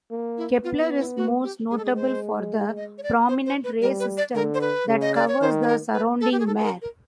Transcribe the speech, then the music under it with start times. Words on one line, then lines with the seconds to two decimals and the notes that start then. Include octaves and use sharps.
Kepler is most notable for the prominent ray system that covers the surrounding mare.
0.11 A#3
0.38 E4
0.64 B3 F4
0.81 E4
0.99 E4
1.17 F#4
1.44 G4
1.70 G#3 G#4
1.78 A4
1.85 G#4
1.96 C5
2.77 D#5
2.98 C#5
3.03 D5
3.28 C5
3.46 C5
3.64 B4
3.82 G3 A#4
4.00 B4
4.17 D5
4.35 D3 A#4
4.54 C5
4.61 B4
4.88 C#3
5.01 D#5
5.15 D5
5.28 C#5
5.41 D#3 C5
5.63 B4
5.67 A#4
5.93 B4
6.21 A4
6.32 G4
6.40 G#4
6.47 A4
6.60 B4
6.64 A#4
6.82 A#4